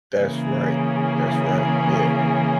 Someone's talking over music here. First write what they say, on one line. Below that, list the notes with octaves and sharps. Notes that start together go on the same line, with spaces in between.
That's right. That's right. Yeah,
C#3 E3 A#3 C#4 G#4